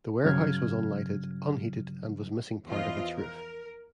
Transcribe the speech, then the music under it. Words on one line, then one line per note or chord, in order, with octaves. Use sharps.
The warehouse was unlighted, unheated, and was missing part of its roof.
G2 C#3 F#3 F6 G#6
E2 E3 F3 F4 D#5
A#4